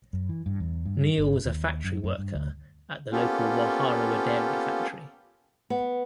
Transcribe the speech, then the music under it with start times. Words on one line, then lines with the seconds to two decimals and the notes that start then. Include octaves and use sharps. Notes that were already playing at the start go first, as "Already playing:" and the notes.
Neil was a factory worker at the local Waharoa dairy factory.
0.13 F#2
0.29 E3
0.46 G2
0.60 E2
0.86 G2
1.18 G1
1.45 D#2
1.84 F#2
2.04 F#2
2.18 G2
2.35 D2
3.12 A#3 B3 C#4 F4 G4 A4
5.70 B3